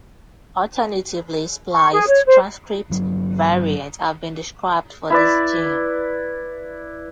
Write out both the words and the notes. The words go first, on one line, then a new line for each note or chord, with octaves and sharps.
Alternatively spliced transcript variants have been described for this gene.
C#6
G#4
C#5
C5
G1 F#3
E4 B4 D5